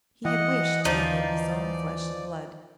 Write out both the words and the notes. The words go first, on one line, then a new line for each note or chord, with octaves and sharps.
He had wished he had been his own flesh and blood.
E3 D#5 F#5 G5
D#2 D3 F3 D#4 D5